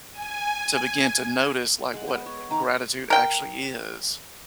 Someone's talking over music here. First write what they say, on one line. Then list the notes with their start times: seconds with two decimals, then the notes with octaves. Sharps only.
to begin to notice, like, what gratitude actually is.
0.12 G#5
1.94 G#3 F#5
2.08 G#3 B3
2.26 C#5
2.51 D#3 A#5 D6
3.10 A#4 G5